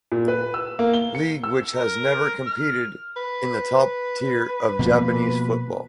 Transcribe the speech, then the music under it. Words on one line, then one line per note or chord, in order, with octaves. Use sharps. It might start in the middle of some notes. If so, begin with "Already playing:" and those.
League which has never competed in the top tier of Japanese football.
A#2
B4
E6
A#3
G7
C#7
E6
A#4
F6
B4
B2 F3 A#3